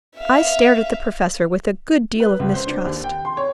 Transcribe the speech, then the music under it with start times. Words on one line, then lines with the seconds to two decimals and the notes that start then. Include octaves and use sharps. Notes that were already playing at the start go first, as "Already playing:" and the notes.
I stared at the Professor with a good deal of mistrust.
0.17 E5 F5
2.20 B4
2.39 C#2
2.54 C5
2.67 D4
2.86 D#2
3.04 G5
3.25 C6
3.37 C#5